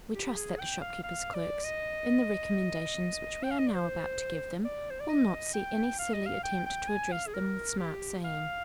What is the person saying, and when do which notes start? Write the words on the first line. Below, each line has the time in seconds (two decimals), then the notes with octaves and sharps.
We trust that the shopkeepers' clerks, in the recommendations which we are now about to give them, will not see any silly attempt to address them with smart sayings.
0.14 G4
0.36 G#4
0.60 G5
0.81 F5
1.03 F5
1.34 D5
1.64 D#5
3.43 G5
3.51 F5
3.59 D#5
3.67 D5
3.74 C5
4.64 D5
4.90 C5
5.00 D5
5.09 D#5
5.54 G5
5.99 F5
6.13 D#5
6.26 F5
6.43 G5
6.66 G5
6.88 G#5
7.12 F5
7.27 G#4
7.34 A#4
7.78 G4
8.24 F5